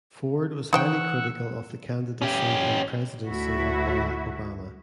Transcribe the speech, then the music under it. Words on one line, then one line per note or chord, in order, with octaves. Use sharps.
Ford was highly critical of the candidacy and presidency of Barack Obama.
E3 D#4 C5 F#5 G5 C#6 E6
C#4 G4
D2 A3 E4 F#4 E5